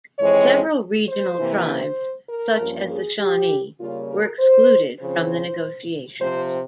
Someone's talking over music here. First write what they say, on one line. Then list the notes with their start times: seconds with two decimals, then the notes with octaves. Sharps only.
Several regional tribes, such as the Shawnee, were excluded from the negotiations.
0.18 F2 E3 G#3 C4 C#5
1.09 C5
1.39 C3 E3 A#3
1.69 C5
2.29 A#4
2.59 G2 F3 A#3 C#4
2.89 G#4
3.20 G4
3.80 C#3 G3 A#3 C#4 F4
4.10 A#4
4.39 C5
4.99 C#3 F3 C4 C5
6.20 C3 F3 C4 C5